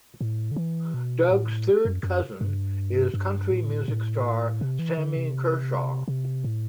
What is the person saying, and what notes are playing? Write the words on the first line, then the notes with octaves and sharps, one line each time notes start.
Doug's third cousin is country music star Sammy Kershaw.
A2
D3
E3
B2
A2
F#2
F#2
G2
G2
A2
A2
C3
E3
D3
C3
C3
A2